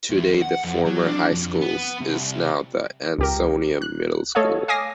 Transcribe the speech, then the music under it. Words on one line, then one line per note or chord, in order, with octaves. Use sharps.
Today the former high school is now the Ansonia Middle School.
E2
F#5
F2
F#3
D4
F2
B3
C2
C#2 G4 A#4
F#6
A3 A4 C#5 D#5 F5
F5 G#5 D6 D#6 A#6 C7